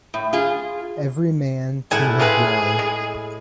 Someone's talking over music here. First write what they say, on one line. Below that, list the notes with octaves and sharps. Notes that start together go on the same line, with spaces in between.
Every man to his Ward!
A2
F4 G#4
A2 E4 G#4 F#5 G#5
C3 F4 G#4 B4
G#3